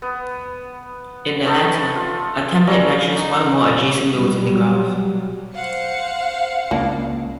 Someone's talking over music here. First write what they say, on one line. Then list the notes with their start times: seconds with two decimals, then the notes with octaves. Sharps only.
In the latter, a template matches one or more adjacent nodes in the graph.
0.02 B3
1.45 A3 B3 D#4 A4
1.96 F4
2.67 G3 C#4 A#5 E6
3.15 D#4
3.56 C#4
4.11 B2 F#3 G3
5.55 C5 F5 F#5 C#7
6.71 C#2 A#3 D4